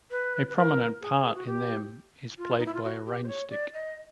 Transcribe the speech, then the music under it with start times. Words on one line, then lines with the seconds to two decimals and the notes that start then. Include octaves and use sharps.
A prominent part in them is played by a rain-stick.
0.11 B4
0.49 B4
0.56 A#4
1.01 G#4
1.35 F#4
1.47 G4
2.38 F4
2.58 D#4
2.66 E4
2.74 F4
2.83 F#4
3.05 G4
3.24 C5
3.28 C#5
3.50 D5
3.74 D#5